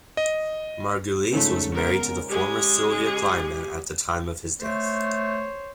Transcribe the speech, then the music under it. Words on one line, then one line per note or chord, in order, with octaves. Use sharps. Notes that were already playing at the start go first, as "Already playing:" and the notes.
Margulies was married to the former Cylvia Kleinman at the time of his death.
D#5
G#2 C#3 A3 D#4 F4
B3 A#4
G#3 G4 G#4
G4
A3 C5 C#5